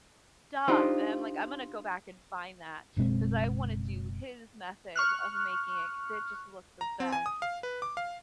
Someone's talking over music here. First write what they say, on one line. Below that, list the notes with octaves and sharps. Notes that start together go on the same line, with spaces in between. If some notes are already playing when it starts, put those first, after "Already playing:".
stuff. And I'm, like, "I'm gonna go back and find that." 'Cause I wanna do his method of making it 'cause it just looked the best.
D4 D#4 F4 G4 C5
F#1 B2 G#3 C4
C#6 F6 F#6
A#5
C4
G#5
D#6
F5
B4
D6
F5